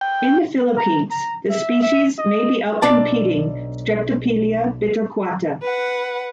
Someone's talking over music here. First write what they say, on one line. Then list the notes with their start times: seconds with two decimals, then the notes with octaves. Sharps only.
In the Philippines, the species may be outcompeting "Streptopelia bitorquata".
0.01 G5
0.77 A#5
1.11 A#5
1.50 E5
1.82 E5
2.18 D#5
2.82 B1 D4 D5 A5
5.62 B4 F#5